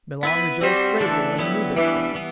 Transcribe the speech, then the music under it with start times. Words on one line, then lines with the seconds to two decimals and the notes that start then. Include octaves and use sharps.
Milon rejoiced greatly when he knew this thing.
0.23 B3 E4 B4
0.61 G3 C4 F#4 C5
1.00 D3 E3 A3 D4 A4
1.38 D3 F#3 B3 E4 G4
1.76 E3 G3 B3 D4
2.15 E3 B3